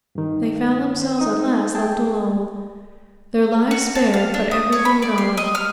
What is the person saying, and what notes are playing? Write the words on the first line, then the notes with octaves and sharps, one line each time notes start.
They found themselves at last left alone, their lives spared, but everything gone.
G2 D#3
C5
D#4 D#6
G#4 G5 A5
F#4
A5
F5
D4
D#6
C#5
B5
D5
C6
D#5
F6